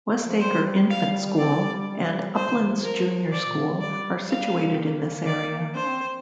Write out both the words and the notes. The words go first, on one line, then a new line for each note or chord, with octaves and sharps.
Westacre Infant school and Uplands Junior school are situated in this area.
A#3
F3
G3 C5
F5
C4 D5
G3
G3
G3
A#3
G3
G3
G3 C5
F3
D3
F3
A#4
D5
A#2
C3
D3
F3
G3 D5
F5
C4
A#3
D5
D4 C5
C4